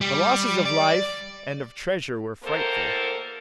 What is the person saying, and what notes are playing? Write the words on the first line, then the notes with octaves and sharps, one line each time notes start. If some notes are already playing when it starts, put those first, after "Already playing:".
The losses of life and of treasure were frightful.
G3
D5
E2 A2 A#3 A4 A#4 C5